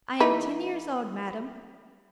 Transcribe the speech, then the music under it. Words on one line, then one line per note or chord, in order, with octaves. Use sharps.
"I am ten years old, madame."
E3 D#4 B4